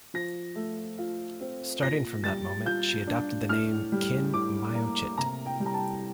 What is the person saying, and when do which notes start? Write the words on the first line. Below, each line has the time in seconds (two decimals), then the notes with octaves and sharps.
Starting from that moment, she adopted the name, Khin Myo Chit.
0.14 F3 A#6
0.56 A3
0.98 F4
1.41 C4
1.83 A#2 A#6
2.24 G3 A6
2.65 F4 G6
3.07 D4
3.49 A2 F6
3.92 G3
4.34 A2 D6
4.75 A#3
5.18 C3 A#5
5.46 G5
5.60 G3
5.66 A#5
5.74 A5